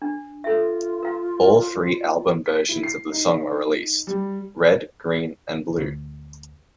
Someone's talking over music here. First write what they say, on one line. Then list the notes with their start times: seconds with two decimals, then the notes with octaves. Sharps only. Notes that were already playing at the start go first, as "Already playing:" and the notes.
All three album versions of the song were released: Red, Green and Blue.
0.02 D4
0.44 F4 A4 E5
1.03 A#4 F5
2.46 B6
2.69 E4
2.83 C7
3.12 D#4
4.07 G3
5.78 D2